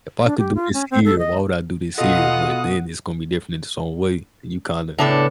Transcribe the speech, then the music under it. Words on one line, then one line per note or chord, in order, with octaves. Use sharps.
if I could do this here, why would I do this here? But then it's gonna be different in its own way, and you kinda
D4
G4
F4
C#4
C4
A4
D#5
B2 F4 A4 D#5 F#5 D#6
A2 C#3 B3 D4 A4